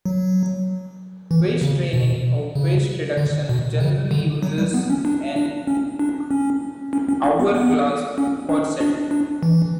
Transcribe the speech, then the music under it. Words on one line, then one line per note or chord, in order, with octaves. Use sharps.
Waist training, or waist reduction, generally uses an hourglass corset.
F#3
E3
C#3
B2
C#3
D3
B2
C#3
D3
F#3
G3
B3
C#4
D4
D4
C#4
D4
C#4
C#4
C#4
D4
B3
B3
C#4
D4
D4
D4
E3